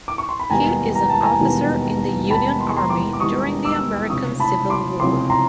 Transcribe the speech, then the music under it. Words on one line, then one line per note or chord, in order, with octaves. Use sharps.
He is an officer in the Union Army during the American Civil War.
D6
C#6
C6
B5
E1 D#2 D#3 G3 B3 G#5 A#5
A#5
A5
G#5 A#5
E1 D#2 D#3 G3 B3
E1 D#2 D#3 G3 B3 A5 B5
C6
C#6
A#5 C6
C6 D6
D6
E1 D#2 D#3 G3 B3 C#6 D#6
D6 E6
F1 F2 C#3 C#6 D#6
A5 B5
C6 D6
F1 F2 C#3 C6 D6
A#5 C6